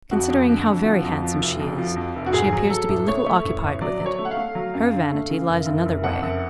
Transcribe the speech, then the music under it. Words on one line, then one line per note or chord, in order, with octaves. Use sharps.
Considering how very handsome she is, she appears to be little occupied with it; her vanity lies another way.
F2 F#4
F2
D3
F2
F3
F2
F3
F1
F2
F3
F2
F1
F#4
G#2 G#4
F#3
F#3 A4
A1
A3 C#5
A3
A1
A1
F#3 D5
F#3
C#5
A3
F#5
F5
A3
F#3
F#2
D3
A3
C#3
F#1
F#1
F#1
F2 F#5
F#1